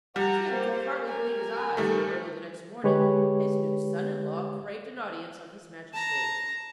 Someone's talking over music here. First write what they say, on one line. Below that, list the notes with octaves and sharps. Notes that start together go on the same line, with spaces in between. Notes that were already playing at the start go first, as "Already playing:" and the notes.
The king could hardly believe his eyes when, early the next morning, his new son-in-law craved an audience of his Majesty.
G3 F#5 A#5
A#3 C5
A#4 G#5
D#3 G3 A3
D3 G#3 G4 B4 C#5
A5 A#5